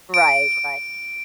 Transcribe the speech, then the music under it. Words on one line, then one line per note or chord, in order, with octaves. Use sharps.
Right, right.
D7